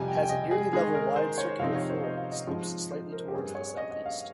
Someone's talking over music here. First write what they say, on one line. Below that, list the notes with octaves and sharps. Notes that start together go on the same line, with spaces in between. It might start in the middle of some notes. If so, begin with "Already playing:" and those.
It has a nearly level wide circular floor that slopes slightly towards the southeast.
Already playing: F2 C3 G3 G#5
G5
G#5
G5
D#5
G#4
D#3 G#3 D#4 G#4
A#4
C5
C#5
C3 F3 C4 D#4 F5
C#5
C5
D#5
F5
D#5
G#2 F3 C4
C5
A#4
G4
G2 G3 C4 G#4
C#5
D#5
D#5
F5